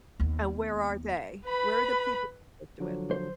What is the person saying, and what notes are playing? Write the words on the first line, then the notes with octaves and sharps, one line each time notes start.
And where are they? Where are the people who do it?
D#2 B3
B4 B5
D3 F3 F#3
C5